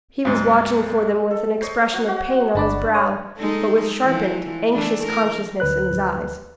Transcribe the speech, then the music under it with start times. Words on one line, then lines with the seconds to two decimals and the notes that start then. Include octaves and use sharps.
He was watching for them with an expression of pain on his brow, but with sharpened, anxious consciousness in his eyes.
0.25 D2 G#2
1.31 A4
1.62 C5 C#5 D#5
1.94 F#4
2.08 F#4
2.55 G1 D4 D5 A5 B5
2.95 C#5 D#6
3.38 G#3 D#4 A4
4.04 E3 F3
4.73 E3 A3 D4
5.06 A#4
5.60 D2 B4 F#6